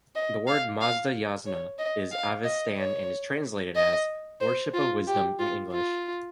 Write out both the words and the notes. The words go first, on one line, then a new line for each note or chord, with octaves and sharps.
The word Mazda-Yasna is avestan and is translated as "Worship of Wisdom" in English.
D#5
F5
F5
C#5
D#5
F5
D#5
C#5
D#5
C5
F4
G4
F4
F4